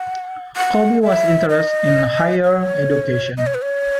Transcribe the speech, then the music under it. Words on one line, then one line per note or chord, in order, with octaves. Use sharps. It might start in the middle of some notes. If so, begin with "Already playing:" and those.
Colby was interested in higher education.
Already playing: F#5
F#5
E5
D#5
C#5
D#5
C#5
B4
C#5